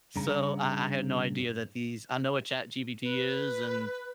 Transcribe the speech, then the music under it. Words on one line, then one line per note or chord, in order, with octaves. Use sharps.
so I I had no idea that these I know what ChatGPT is, and
G2 C#3 A#5
B4